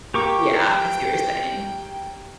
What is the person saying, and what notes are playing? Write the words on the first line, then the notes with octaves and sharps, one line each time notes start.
Yeah, I see what you're saying.
A#3 G4 G5 C#6 D6